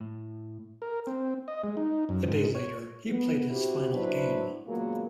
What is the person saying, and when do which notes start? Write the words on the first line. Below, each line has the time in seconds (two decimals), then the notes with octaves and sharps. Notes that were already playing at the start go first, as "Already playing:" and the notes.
A day later, he played his final game.
0.01 A2
0.82 A#4
1.07 C4
1.48 D#5
1.64 G#3
1.77 D#4
2.09 F#2
2.28 G#2
2.55 C#5
3.08 B3
3.50 C4 E4 F#4 G4
3.94 F#3 D4 E4 B4 C5
4.66 A#2 C#3 F#3 G#3 A#3 B3